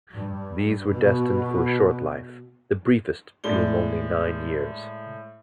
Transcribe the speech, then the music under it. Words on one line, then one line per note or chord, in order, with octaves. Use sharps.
These were destined for a short life, the briefest being only nine years.
G2
B2
A2 G#3 D5 G7